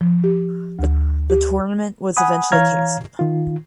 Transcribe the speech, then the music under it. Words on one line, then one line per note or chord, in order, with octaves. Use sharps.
The tournament was eventually cancelled.
F3
G4
D2
G4
F#5 G#5 B5 D#6
E3 C#5 F5 A#5 F6 G#6
D#3 F4